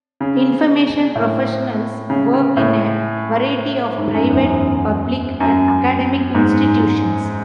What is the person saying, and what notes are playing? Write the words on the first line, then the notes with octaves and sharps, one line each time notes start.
Information professionals work in a variety of private, public, and academic institutions.
C#3
A2
C#3
C#3
A2
G#2
F#2
E2
F#2
F#2
G#2